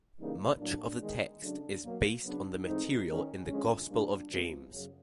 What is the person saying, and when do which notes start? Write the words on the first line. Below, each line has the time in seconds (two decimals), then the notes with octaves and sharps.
Much of the text is based on material in the Gospel of James.
0.18 C#3 E3 G3 A#3 D#4
0.59 A2 F#3 A#3 D4
1.00 D#3 G#3 B3 D#4
1.41 C#3 F#3 A3 D4
1.83 B2 F#3 A#3
2.24 C#3 F#3 B3 D4
2.65 G#2 E3 A3 C4 D#4
3.07 D#3 G#3 C#4
3.47 D3 F3 G#3 C#4
3.89 A#2 G3 A#3 D4
4.30 C3 F3 G#3 B3
4.72 F#2 C#3 F#3